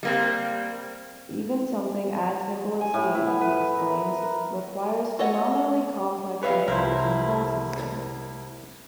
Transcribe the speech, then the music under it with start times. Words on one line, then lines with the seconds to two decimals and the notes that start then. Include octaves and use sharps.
Even something as simple as seeing, he explains, requires phenomenally complex information processing.
0.03 G3 A#3 C4
2.81 G#5
2.94 A2
3.15 E4
3.27 B3
3.41 B4
3.77 A#4
4.22 A#4
5.19 F#4 A4 C#5 D#5 F#5
6.43 G3 B4 C#5 E5 F5
6.68 C2 E4 A#4 C5